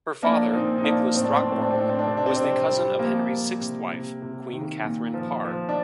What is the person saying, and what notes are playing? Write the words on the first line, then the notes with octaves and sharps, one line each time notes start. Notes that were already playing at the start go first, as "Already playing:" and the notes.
Her father, Nicholas Throckmorton, was the cousin of Henry's sixth wife, Queen Catherine Parr.
F3 A#3 D4
A#2 C4 D#4
D#4
F3 A#3 D4
A2 C4
D4
C4
A2 D4
C4
D4
C4
A2 D4
C4
D4
C3 C4
D4
C4
C3 D4
C4
G3
F3 A#3
F3
C3
C3
C3
D#3
A#2
F3
F3
D4